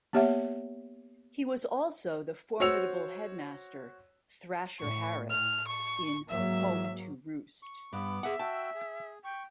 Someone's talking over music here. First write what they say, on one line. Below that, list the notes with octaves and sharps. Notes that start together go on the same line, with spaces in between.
He was also the formidable headmaster "Thrasher" Harris in "Home To Roost".
A#3 B3 G4 C#5 E5 F#5
F#4 C5 C#5 E6 C#7 F7
A2 C#6
F6
C#6
G#2 F#3 A#3 E5
C#6
G2 B3 B5 D6
G#4 E5 F#5
F#4 G5 A5 E6
G#4
G5 C#6